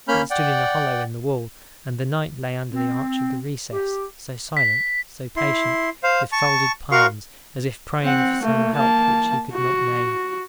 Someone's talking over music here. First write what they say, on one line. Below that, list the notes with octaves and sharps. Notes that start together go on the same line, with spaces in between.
It stood in a hollow in the wall, and the knight lay under the arch of the recess, so silent, so patient, with folded palms, as if praying for some help which he could not name.
A#3 C#4 B5 F6 G6
D5 F#5 G5
C4
G4
B6
E4 C6
C5 F5
A5 C#6
F#4 A#4 F5 C6 C#6
C4 F#5
A3 A#3
A#3 A5
F#4